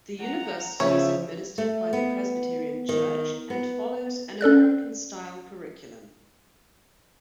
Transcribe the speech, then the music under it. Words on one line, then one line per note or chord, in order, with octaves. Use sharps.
The university is administered by the Presbyterian Church and follows an American-style curriculum.
F#5 A#5
C#3 F3 C#5 E5
A3
B3
D#3
B3
C#4 A4 D5 F#6